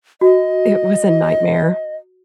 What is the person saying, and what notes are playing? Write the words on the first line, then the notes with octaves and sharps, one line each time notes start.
it was a nightmare.
F#4 D#5